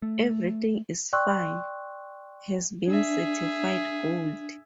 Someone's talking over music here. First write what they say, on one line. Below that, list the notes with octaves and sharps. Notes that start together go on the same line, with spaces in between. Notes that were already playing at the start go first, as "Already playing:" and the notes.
"Everything Is Fine" has been certified gold.
A3
D5 G5 C6 C#6 E6 F#6
D4 G#4 E5